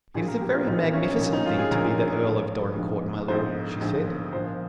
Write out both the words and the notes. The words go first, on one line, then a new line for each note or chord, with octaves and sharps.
"It is a very magnificent thing to be the Earl of Dorincourt, my lord," she said.
A#1 A#2 F3 G#4
A#4
G4
F4
A#1 A#2 F3 D#4
C#4
A#1 A#2 F3
D#4
F4
G#4
A#1 A#2 F3 A#4
A#1 G#2 F3
A#1 G#2 F3
A#1 G#2 F3 C5
A#1 G#2 F3
A#1 A#2 F3 C5